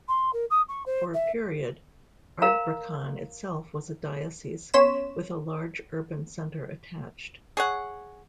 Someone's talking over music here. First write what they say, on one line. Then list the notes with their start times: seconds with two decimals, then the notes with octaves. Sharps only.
For a period, Ardbraccan itself was a diocese, with a large urban centre attached.
0.08 C6
0.33 A#4
0.50 D#6
0.69 C#6
0.86 C5
1.14 E5
2.42 A#4 F5 A#5
4.74 B3 C#4 C#5 C6 B6 E7
7.57 G#4 C#5 F#5